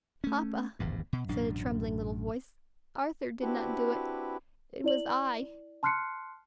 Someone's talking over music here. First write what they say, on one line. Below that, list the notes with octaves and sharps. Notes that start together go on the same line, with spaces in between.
"Papa," said a trembling little voice, "Arthur did not do it; it was I."
A3 C#4
D1 G#1 E2 G2
B2
A1 F#2 B2 D4
C4 D4 E4 F#4 G4 B4
E4 D5 F#7
A5 C6 F6 F#6 C7 C#7